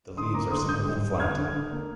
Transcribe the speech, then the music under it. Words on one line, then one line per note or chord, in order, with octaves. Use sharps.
The leaves are simple and flat.
D3 C6 D#6
A#3 A#5 D6
D3 C6 D#6
D3 D#6 G6
G3
G3
D3 F6 G#6
D3
D3
A#3